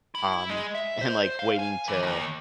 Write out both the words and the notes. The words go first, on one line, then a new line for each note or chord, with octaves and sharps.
um, and like, waiting to
E4
G#3
E5
C5
C5
F5
G#5
E3
D#2